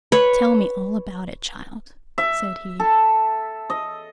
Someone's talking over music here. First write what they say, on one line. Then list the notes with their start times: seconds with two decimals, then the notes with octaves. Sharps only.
'Tell me all about it, child,' said he.
0.12 B4 C#5
2.18 E5
2.80 A4
3.70 D#5